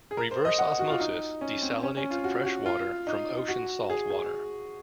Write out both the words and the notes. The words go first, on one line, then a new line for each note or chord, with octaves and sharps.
Reverse osmosis desalinates fresh water from ocean salt water.
G#4
A#4
C5
D#5
F#5
F#4
F4
D#4
C#4
C4
C#4
C#4
F4
F#4
F#4
F4
D#4
F#4
G#4
G#4